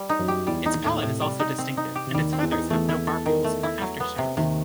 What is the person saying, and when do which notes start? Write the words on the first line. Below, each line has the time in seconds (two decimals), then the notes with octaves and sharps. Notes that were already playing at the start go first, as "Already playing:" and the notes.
Its palate is also distinctive, and its feathers have no barbules or aftershaft.
Already playing: G3
0.09 D#4
0.19 F#2 F#3
0.28 G4
0.47 E2 E3 G3
0.66 D#4
0.75 D#2 D#3
0.84 A2
1.02 A2 C3
1.21 G3
1.40 D#4
1.58 C4
1.77 D#4
1.95 G4
2.07 C3
2.14 D#2 D#3 G3
2.33 C4
2.42 E2 E3
2.52 D#4
2.70 E2 E3 A3
2.89 E4
3.07 A4
3.26 D#3
3.44 A3
3.63 E4
3.82 F#3
4.00 B3
4.18 C3
4.37 D#2 C3 D#3